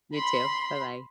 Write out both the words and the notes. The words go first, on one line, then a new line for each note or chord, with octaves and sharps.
You too, bye-bye.
B5 C6